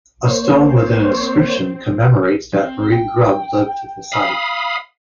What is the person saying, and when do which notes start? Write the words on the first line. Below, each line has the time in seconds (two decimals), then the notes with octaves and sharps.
A stone with an inscription commemorates that Marie Grubbe lived at the site.
0.24 A#3 C4 C5 C#5
2.54 C4
2.92 G5
4.12 F5 B5 D#6